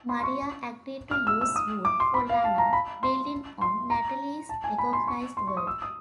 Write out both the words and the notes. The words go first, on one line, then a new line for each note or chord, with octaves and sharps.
Maria agreed to use "Wood" for Lana, building on Natalie's recognized work.
C6
C6
C#6
F6
E6
E6
D#6
D6
C6
B5
F5
A5
A#5
B5
C6
C6
A#5
A5
G#5
B5
C6
C#6
C6
C#6
D#6
E6
D#6